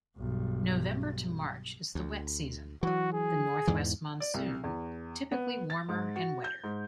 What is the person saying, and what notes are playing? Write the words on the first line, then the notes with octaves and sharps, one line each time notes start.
November to March is the wet season-the northwest monsoon-typically warmer and wetter.
B1 G2
D2
E3 F#3 F#4
G#4
E2 G#2 E3
D5
C2
E2
B3
A6
G#2
F#4
G6
G#2